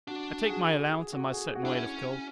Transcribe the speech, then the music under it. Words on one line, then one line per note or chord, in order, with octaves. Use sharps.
I take my allowance and my certain weight of coals.
D4 F#4
G#4
F#4
G#4
F#4
G#4
F#4
D4 E4
C#4 F#4